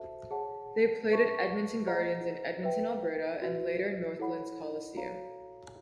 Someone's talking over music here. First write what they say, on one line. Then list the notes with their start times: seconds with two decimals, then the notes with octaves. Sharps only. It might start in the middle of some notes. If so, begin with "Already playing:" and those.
They played at Edmonton Gardens in Edmonton, Alberta, and later Northlands Coliseum.
Already playing: F#4 A4 C5 E5 A5
0.31 G#4 C#5 F#5 A5
1.09 B4 E5 A5 C#6
1.86 G#4 C5 D#5 F#5 A#5
2.63 B4 E5 G5
3.42 F#4 B4 E5
4.19 E4 A4 C#5 F#5 B5
4.96 F#4 A4 C#5 F5 A#5